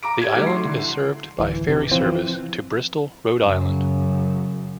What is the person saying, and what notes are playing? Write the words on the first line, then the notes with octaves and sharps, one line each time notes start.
The island is served by ferry service to Bristol, Rhode Island.
A#5 D6 D7
G4 D5 G#6
G3 A3 D#4 F#4
C6 C7
D3 E3
D1 E3
C3 E3
E3 F3 C4
F#2 C#3